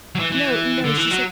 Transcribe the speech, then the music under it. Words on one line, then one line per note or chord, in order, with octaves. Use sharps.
"No, no," she said.
F#3
E3
E3
D3
E3
F#3